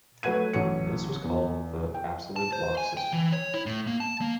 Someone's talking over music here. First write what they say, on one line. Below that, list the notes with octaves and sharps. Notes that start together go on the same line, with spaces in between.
This was called the "absolute block system".
F#3 A3 B4 F#5 G#6 D#7
A1 F#3 F#4 C#5 C#7
E2
G5
A5
C5
G#5
G5
E3
C#5
E4
A2
A#3
A5
A#3